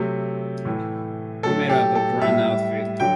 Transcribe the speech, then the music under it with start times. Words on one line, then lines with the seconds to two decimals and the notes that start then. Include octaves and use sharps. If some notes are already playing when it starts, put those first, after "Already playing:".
We made up a grand outfit.
Already playing: C3 F#3 A3
0.65 A2 E3 A3
1.43 A2 F#3 A3 A4
1.69 G4
1.95 A4
2.22 A2 G3 E5
3.00 D3 F#3 G5